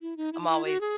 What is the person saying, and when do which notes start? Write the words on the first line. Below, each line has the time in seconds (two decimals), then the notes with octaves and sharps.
I'm always
0.02 E4
0.17 D#4
0.33 E4
0.41 D#4
0.49 E4
0.65 F#4
0.81 G#4